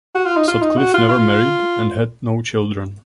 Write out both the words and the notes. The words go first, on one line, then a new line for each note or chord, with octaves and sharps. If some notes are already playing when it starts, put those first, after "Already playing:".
Sutcliff never married and had no children.
F#4
F4
D#4
F4
D#4
F#4
F4
F4